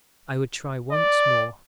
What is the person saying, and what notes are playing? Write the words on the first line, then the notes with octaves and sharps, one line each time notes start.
I would try once more.
D5